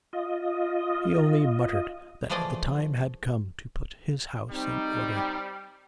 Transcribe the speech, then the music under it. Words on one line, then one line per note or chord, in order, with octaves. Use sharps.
He only muttered that the time had come to put his house in order.
F4 D#5
E3 F3 A3 G#4 D5 D#5
G3 C4 D#4